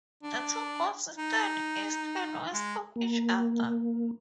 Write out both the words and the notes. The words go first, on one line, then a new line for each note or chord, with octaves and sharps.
The two goals stand east and west of each other.
D4
D#4
G#3
A#3